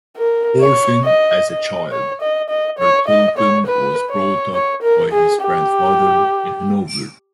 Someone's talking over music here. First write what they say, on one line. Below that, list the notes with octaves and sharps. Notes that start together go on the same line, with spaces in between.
Orphaned as a child, Hartleben was brought up by his grandfather in Hanover.
A#4
C#5
D#5
D#5
C#5
D#5
D#5
C#5
D#5
C#5
B4
C#5
C#5
A#4
G#4
G4